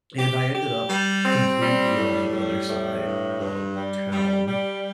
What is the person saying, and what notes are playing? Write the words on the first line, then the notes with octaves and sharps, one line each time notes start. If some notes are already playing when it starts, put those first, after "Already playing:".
And I ended up completely on the other side of town,
G4
G4
G3
C4
G3
A2
G3
A2
G2
G2
G3
G3
G3